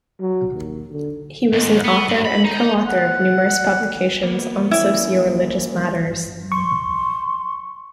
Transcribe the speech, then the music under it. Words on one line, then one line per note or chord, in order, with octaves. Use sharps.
He was an author and co-author of numerous publications on socio-religious matters.
F#3
D#2
D3
D#2 G#2
B3
G2
B5
D#4
F#5
A#3 B3
E3 A#3 C#4 E4
C6 C#6